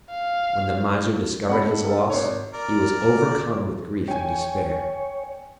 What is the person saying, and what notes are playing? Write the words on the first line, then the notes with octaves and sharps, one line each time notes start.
When the Miser discovered his loss, he was overcome with grief and despair.
F5
G#3 C4 A4 F#5 B5
A4 A#4
G#1 C#5
A#4 D5
C#5 G5 G#5